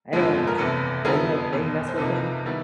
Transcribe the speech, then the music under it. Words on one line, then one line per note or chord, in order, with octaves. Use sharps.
I don't wanna mess with him, 'cause I know if they mess with him,
G1 F2 D3 F3 G#3
A#4
F#1 E2 C3 A4 B4
F2 D3 G3 B3 E4 G#4 A#4
F#1 E2 B2
C5
C2 C3 F3 A#3 D#4 A4 B4
D#3 G3 B3 E4